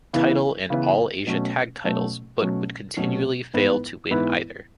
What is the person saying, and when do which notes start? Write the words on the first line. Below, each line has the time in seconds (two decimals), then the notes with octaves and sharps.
Title and All Asia Tag Titles but would continually fail to win either.
0.13 C#3 E3 B3 E4 B4
0.70 C#3 E3 B3 E4 B4
1.27 B2 F#3 A3 C#4
1.84 B2 F#3 A3 C#4
2.41 B2 F#3 A3 C#4
2.97 B2 F#3 A3 C#4
3.54 G#2 E3 B3 E4 B4
4.11 G#2 E3 B3 E4 B4